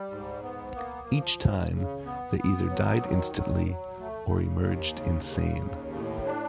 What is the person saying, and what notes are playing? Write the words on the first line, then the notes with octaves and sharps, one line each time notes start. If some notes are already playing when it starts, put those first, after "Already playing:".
Each time, they either died instantly or emerged insane.
Already playing: G3
G#2
B3
A#3
F3
C#3
C#3
B3
B3
F#3
D#3
F#3
F#3
A3
C#3
D#2
C#3
C#3
D#2
A2
D4